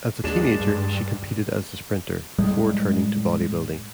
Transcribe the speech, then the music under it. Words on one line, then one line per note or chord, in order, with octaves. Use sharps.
As a teenager she competed as a sprinter before turning to bodybuilding.
D#2 G#3 D4 E7
G2
A2 G3 G#3